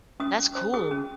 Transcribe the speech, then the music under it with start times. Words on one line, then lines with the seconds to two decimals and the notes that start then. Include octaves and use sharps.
That's cool.
0.20 C#4 D#6
0.38 C#4
0.55 C5
0.73 G#4 D#6
0.91 C#4